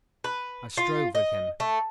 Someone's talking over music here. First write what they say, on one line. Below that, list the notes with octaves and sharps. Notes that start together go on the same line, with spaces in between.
I strove with him.
B4
F4
D#5
A3